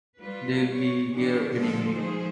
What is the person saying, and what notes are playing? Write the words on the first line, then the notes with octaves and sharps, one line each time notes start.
They'll be here any minute!
G3 F4 B4
C#5
C#3 E3 D4 G4 G#4 B4
D3 F3 G3 G#3 F4 A4
D#3 F3 G#3 A3 G#4 C5